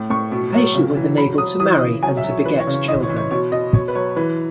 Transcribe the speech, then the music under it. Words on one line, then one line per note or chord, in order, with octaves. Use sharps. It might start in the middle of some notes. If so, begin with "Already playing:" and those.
The patient was enabled to marry and to beget children.
Already playing: A2
A2 C#6
B2
F#3
C#3
E3
F#3 B5
F#3 D#6
E3 D#6
C#3
F#3 G#5
E5
F#3
C#5
E3 B4
C#5
C#3
C#5
E3 D#5
C#5
E3
C#5
B2 C#5
B2 D#5
B2 C#5
B4
F#3 C#5
E3 B4